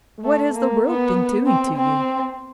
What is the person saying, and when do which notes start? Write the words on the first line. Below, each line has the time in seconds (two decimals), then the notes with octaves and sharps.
'What has the world been doing to you?'
0.24 A3
0.56 A#3
0.86 B3
1.46 C4
1.77 C4